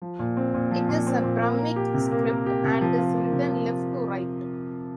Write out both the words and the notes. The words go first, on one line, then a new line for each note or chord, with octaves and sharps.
It is a Brahmic script and is written left-to-right.
F3
A#2
C4
A#2
F3
A#2
C4
A#2
A#3
A#4
G4
C3
A#3
A#4
G4
C3
F3
F4
A#3
C3
F3